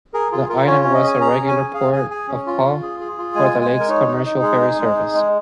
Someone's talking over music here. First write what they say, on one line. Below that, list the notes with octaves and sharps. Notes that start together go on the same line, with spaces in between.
The island was a regular port of call for the lake's commercial ferry service.
G#4 A#4
F4 G#4
F4 A#4
C#4 C#5
C#4 C#5
D#5
G#4 G#5
G#4 A#5
C#4
G#5
G#4
G#4 F5
G#4 G#5
G#4 G#5
C#4
F4
F4
G#4
G#4
F4
G#3 G#5
G#3
G#5
G#3
A#4
D#4 C#5
D#4
D#4
G#3 G#4
D#4
G#3
D#4
G#3